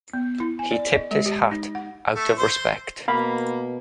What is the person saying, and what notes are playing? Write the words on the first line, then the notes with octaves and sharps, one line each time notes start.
He tipped his hat out of respect.
B3
E4
G#5
D5
D#5
G#3
G4
D#4
F#5
A3
C5
B2 A#3 F5 B5